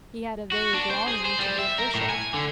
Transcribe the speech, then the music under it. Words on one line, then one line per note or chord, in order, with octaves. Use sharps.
He had a vague longing to be a bishop.
F#4
D4
C5
G#4
C5
G3
E5
A#4
A2
G#5
D3